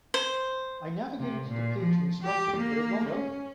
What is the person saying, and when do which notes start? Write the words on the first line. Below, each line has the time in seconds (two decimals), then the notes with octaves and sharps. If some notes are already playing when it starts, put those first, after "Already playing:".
I navigated to the page you instructed, but it won't open.
0.14 C5
1.20 C3
1.49 A#2
1.80 F3
2.23 G4
2.57 A#3
3.09 C#4